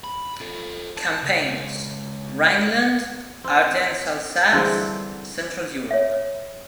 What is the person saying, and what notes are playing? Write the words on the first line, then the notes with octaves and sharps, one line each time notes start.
Campaigns: Rhineland, Ardennes-Alsace, Central Europe.
B5
F4 A4
A5
C#2
C4
D3 E3 G3 C4 G#4
C#5 E5